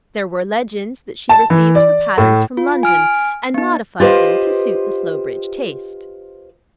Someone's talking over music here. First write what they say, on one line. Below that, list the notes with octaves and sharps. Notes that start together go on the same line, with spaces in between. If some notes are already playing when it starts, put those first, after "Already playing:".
There were legends that she received her patterns from London, and modified them to suit the Slowbridge taste.
A5
E3
D5
A2
F4
G#5 F6 D7
B3 D#4
F4 G4 B4 C5 D#5